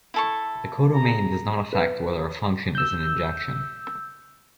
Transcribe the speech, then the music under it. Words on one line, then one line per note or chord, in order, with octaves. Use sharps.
The codomain does not affect whether a function is an injection.
E4 A4 C#6
G#4 A#5
B4
E6 G6